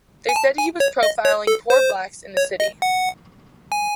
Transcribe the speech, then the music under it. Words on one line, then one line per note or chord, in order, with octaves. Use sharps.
They said he was profiling poor blacks in the city.
G#5
A5
G#5
C#5
D#5
C#5
A4
C5
C#5
D#5
F#5
G#5